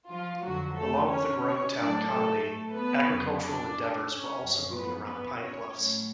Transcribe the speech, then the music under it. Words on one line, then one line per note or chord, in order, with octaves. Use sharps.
Along with a growing town economy, agricultural endeavors were also booming around Pine Bluffs.
F3 F4
F2 D3 F3 F#3 F#4
A3 A4
C#4 C#5
C#4 C#5
A2 F#3 D4 D5
A3 A4
B3 B4
F2 C#3 F#3
D4 D5
C#4 C#5
F#2 F3
B3 B4
B3 B4
C#4 C#5
A2 F#3